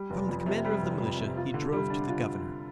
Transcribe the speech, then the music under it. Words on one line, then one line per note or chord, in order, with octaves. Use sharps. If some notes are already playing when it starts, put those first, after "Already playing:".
From the commander of the militia he drove to the governor.
Already playing: G3
F1
F2
C3
G3
F1
F2
C3
F4
D3
G3
D4
F4